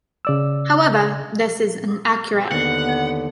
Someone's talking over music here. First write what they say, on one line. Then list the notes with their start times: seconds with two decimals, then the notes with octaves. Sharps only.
However, this is inaccurate.
0.25 C#3 D5 E6
2.52 D#2 D3 B3 F#5